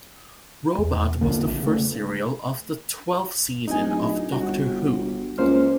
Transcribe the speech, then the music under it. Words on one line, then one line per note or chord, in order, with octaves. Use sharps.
"Robot" was the first serial of the twelfth season of "Doctor Who".
E2
A#1 E2 D3 A#3
C#3 A3
D1 D#4 D#5 G#5
G1 F#4
C#2 A#3 C5 F6